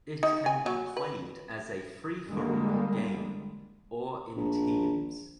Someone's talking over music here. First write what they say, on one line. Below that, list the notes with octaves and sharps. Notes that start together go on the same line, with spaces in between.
It can be played as a free-for-all game or in teams.
D#4
G#5
F#3
B4
D3 G3 G#3 A#3
A#1